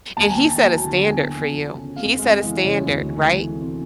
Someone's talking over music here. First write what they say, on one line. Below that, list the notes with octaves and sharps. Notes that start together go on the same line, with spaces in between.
And he set a standard for you. He set a standard, right?
D#2 A5
G#5
G5
D#2 G#5
F#3 A5
D3
G5
E2 G#5
E2
F3
C#3
F2 F5
G#3
D#5
E3
C#5
C#3
D2
G#3
E3
C3